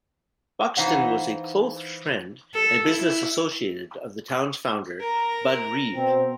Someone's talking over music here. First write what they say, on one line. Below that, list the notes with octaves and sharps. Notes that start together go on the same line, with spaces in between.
Buxton was a close friend and business associated of the town's founder, Budd Reeve.
E3 D#4 C5 F5 F#5
A4
E4
A#4 A#5
B2 C4